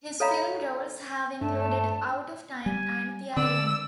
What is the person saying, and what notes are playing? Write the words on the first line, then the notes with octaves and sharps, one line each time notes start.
His film roles have included "Out of Time" and "The Island".
A4 C#5 D#5 F5 A#5 B5
G2 A3 D4 A5
G3 G#5
D3 C4 D5 E6